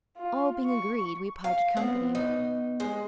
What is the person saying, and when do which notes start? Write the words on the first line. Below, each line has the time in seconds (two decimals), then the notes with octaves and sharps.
All being agreed, we parted company.
0.17 F4
0.67 C#6
1.44 F5
1.77 B3 C4
2.15 D#4
2.80 G#3